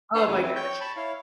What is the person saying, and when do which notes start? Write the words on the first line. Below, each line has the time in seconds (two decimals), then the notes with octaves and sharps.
Oh my gosh.
0.15 D4 A4 B4 F#5 A5 C6
0.27 F2 C#3 A3 E4 G#5
0.42 E3 C4 E4
0.56 C#5 G5 C#6 G6
0.81 A5 B5 C#6
0.96 E4 C#5 F5